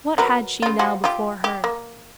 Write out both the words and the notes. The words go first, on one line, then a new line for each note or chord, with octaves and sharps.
What had she now before her?
F#3 A#4 B4
C#3 F4
F3 G3 F#4
F4 G4
G4
A#3